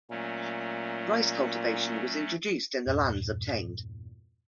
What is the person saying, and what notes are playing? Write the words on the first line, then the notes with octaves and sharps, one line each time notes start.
Rice cultivation was introduced in the lands obtained.
A#2 F#3 A3 C#4
E2 G2 A#2